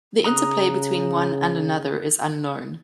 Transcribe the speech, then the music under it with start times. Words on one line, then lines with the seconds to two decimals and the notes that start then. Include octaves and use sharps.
The interplay between one and another is unknown.
0.24 C#3 A#5 D#6 F#6